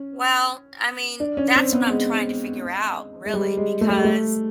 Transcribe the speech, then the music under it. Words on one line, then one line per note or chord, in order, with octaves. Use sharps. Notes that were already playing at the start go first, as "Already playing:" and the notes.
Well, I mean, that's what I'm trying to figure out, really, because,
Already playing: C#4
D4
C#4
C4
B3
G#3
G#3
G3
G#3
A3
G3
G#3
A3